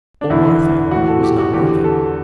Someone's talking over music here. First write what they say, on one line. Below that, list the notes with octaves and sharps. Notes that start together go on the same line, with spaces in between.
Old Martha was not working.
D4
E2 D3 E4
A2 E3 F#4
A4
G4
F#4
E2 D3 G4
A4